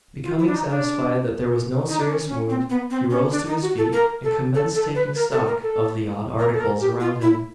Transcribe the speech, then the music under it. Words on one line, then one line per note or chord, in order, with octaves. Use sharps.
Becoming satisfied that there was no serious wound, he rose to his feet, and commenced taking stock of the odd articles around him.
F4
E4
D4
D#4
D4
D#4
D4
C#4
C#4
C4
B3
C4
C#4
D4
D#4
F#4
A4
A#4
A4
A4
A4
B4
A#4
A4
A#4
A4
A#4
A4
A#4
G4
F4
E4